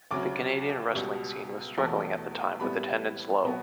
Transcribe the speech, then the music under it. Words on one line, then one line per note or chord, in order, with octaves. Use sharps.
The Canadian wrestling scene was struggling at the time, with attendance low.
D2 C#3 F#3 D6
C#2 B2 G3
E2 B2 A3
A2 G3 B3 B5
B2 F#3 B3